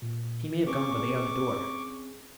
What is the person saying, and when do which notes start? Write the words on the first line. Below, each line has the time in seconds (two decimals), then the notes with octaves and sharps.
"He may have gone by the other door."
0.02 A#2
0.67 C4 C#4 G#4 C#6 D6